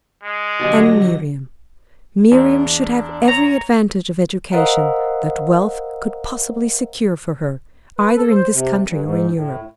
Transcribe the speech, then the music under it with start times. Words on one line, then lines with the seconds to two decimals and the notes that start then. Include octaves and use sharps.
And Miriam--Miriam should have every advantage of education that wealth could possibly secure for her, either in this country or in Europe.
0.24 G#3
0.60 B2 D3 F#3 G4 G#5 A#6
2.31 E2 D4
3.28 C#5 A#5
4.52 A#4 C5 D#5 F5 F#5 A#5
7.98 B4
8.17 A4
8.30 C5
8.53 C3
8.87 G2
9.04 G#2
9.36 A2